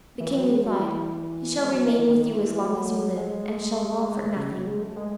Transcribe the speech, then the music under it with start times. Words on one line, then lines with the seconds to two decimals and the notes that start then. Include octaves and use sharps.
The king replied, "He shall remain with you as long as you live, and shall want for nothing."
0.20 E3
0.35 F#3
0.50 G#3
0.65 F#3
0.80 E3
1.58 G#3
1.71 F#3
1.85 E3
1.98 D#3
2.28 E3
2.58 F#3
3.17 G#3
4.36 C#3
4.52 F#3
4.67 G#3
4.81 A3
4.96 G#3